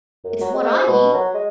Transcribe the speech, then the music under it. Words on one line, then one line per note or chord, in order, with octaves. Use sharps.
"It's what I eat."
F#2
F#3
G#3
C5
B2
F#3
G#3